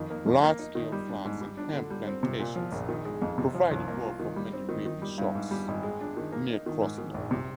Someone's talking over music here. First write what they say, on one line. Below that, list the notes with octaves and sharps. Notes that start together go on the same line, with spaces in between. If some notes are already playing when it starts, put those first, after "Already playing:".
Large-scale flax and hemp plantations provided work for many weaving shops near Krosno.
Already playing: F2 D#3
A#3
F2
A#3
D#4
D#3
G3
D4
G#2
G3
D4
D3
G3
C4
C3
A#2
F3
A#1
D#3
G#3
F2
C3
F3
C2
A#3
F4
D#3
G3
C4
D#3
D#3
G3
G2
G#2
G3
G#1
G#3
D4
D#3
A#3
D#4
D#3
G#2
D#3
A#1
C3